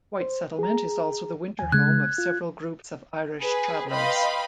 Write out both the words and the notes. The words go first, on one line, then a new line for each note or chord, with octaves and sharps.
White Settlement is also the winter home of several groups of Irish Travellers.
C5
G#4 A#5
D#2 G#5
C#3 G#3 F#6 G#6
F4
G#4 B4
B4 D#5 F5 G5 B5 C6